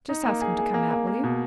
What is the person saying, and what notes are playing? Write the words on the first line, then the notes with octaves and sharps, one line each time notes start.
"Just ask him to come out, will you?"
D#4
A#3
G#4
G#4
A#3
A#3
A#3
B2